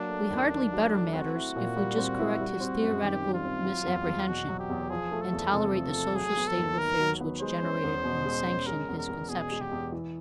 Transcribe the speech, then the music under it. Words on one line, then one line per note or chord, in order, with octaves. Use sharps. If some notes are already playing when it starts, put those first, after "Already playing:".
We hardly better matters if we just correct his theoretical misapprehension, and tolerate the social state of affairs which generated and sanctioned his conception.
Already playing: F#3 A#3 D4
A3
D#2
D#3
F#3
A3
C4 F#4
E4
A#2
G3
C4
E4
G3
C4
F#2
D#3 G4
G3
F4
C4
F#3
E2
E2
B2 F#4
F#3
G4
E2
F3 G#4
A3
A4
E2
C3
F3
A3
F#3 G#4
B3
A4
D#2
D#3 A#4
F#3
B3
G#3 C5
C#4
E2
B2
G#3
C#4
G#3 A#4
E2
A#4
E2
B2 G#4
G#3
G4
E2
E3